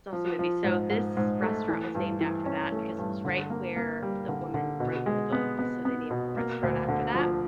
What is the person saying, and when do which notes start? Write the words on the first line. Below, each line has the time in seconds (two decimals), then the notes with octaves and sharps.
It's also movie, so this restaurant was named after that because it was right where the woman wrote the book, so they named the restaurant after that,
0.13 F3
0.39 F3
0.64 G#2
0.90 G#2
1.17 G#2
1.42 A3
1.69 E3
1.95 G2
2.21 E3
2.46 C#4
2.72 A3
2.98 G2
3.25 D3
3.50 A#3
3.76 A#3
4.02 G3
4.28 D3
4.54 D3
4.80 B2
5.06 G#3
5.32 B3
5.59 B3
5.85 B3
6.10 B2
6.37 A#3
6.63 D2
6.88 D3
7.14 F3